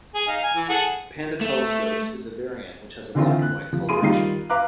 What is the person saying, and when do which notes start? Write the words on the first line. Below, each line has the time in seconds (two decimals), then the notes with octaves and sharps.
Panda telescopes is a variant which has a black and white coloration.
0.15 G#4
0.28 D#4 F5
0.44 G#5
0.55 E3
0.69 G#4 A4 F#5
1.41 A3
3.15 D3 E3 C4 D#4 F4
3.42 F#6
3.73 F3
3.89 F4 G#4 C6 D#7
4.02 D#3 G3 D#4 F4 C7
4.50 B4 F5 A#5 D6 F#6